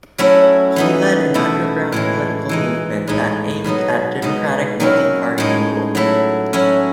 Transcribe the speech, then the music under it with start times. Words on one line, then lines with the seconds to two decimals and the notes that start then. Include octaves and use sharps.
He led an underground political movement that aimed at democratic multi-party rule.
0.18 F#3 A3 C#4 E4
0.76 E3 B3 D#4
1.34 B2 A3 E4
1.92 A2 E3 G#3
2.49 E3 G#3 D#4
3.07 A2 G#3 D#4
3.64 B2 F#3 B3 D#4
4.22 B2 G#3 D#4
4.80 D#3 F#3 C#4 E4
5.38 A2 G#3 D#4
5.95 F#3 A3 E4
6.53 F#3 C#4 E4